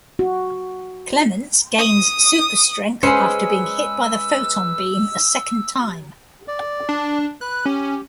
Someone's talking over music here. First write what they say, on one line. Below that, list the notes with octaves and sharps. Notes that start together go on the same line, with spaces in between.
Clements gains super-strength after being hit by the photon beam a second time.
F#4
D#6
G#3 C#4 G#4 B4 C5 E6 C#7
D5
D4
B4 F#6
C#4 G4